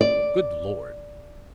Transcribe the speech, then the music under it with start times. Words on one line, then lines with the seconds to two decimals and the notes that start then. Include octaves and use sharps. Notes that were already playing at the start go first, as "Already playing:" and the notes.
Good Lord!
0.01 D5